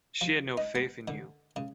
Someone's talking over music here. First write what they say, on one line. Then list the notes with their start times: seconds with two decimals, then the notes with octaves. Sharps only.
She had no faith in you.
0.21 F3
0.57 D#4
0.75 B3
1.08 D3
1.56 C#3